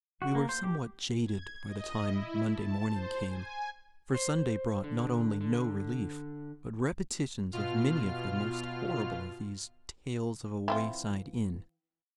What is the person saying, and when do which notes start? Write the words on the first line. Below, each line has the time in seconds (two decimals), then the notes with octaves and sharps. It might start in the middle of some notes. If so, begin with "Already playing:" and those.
We were somewhat jaded by the time Monday morning came, for Sunday brought not only no relief, but repetitions of many of the most horrible of these "tales of a wayside inn."
0.22 F#4
0.35 A#3
0.49 C5
0.64 G4
1.22 G#6
1.67 D#5
2.05 E4
2.52 A5
2.89 C5
3.28 G#5
4.14 C5
4.84 D3
5.41 D3
7.53 B2 F4 F6
10.68 E3 C4 F4